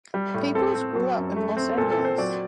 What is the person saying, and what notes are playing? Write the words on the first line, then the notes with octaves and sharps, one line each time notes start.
Peoples grew up in Los Angeles.
G3
A2
C4 A4
C4
F#3
F#2
A3
C4
A#2 A4
A4
C4
C5
F#3 D5